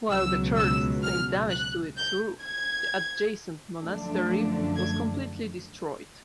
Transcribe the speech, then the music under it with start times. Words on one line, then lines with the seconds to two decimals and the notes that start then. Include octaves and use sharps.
While the church sustained damage to its roof, the adjacent monastery was completely destroyed.
0.10 C#2 B2 F#3 E6
0.56 E6
1.03 F6
1.49 F#6
1.96 G6
2.43 G#6
3.82 F#2 D3 F3 A3 D4
4.75 G#6